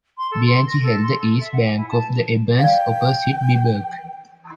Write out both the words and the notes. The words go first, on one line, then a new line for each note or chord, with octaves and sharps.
Bianchi held the east bank of the Abens opposite Biburg.
C6
A4
C6
A#6
A4
C6
A4
E5
F#5
G#5
E4
A5
D5 F5 G5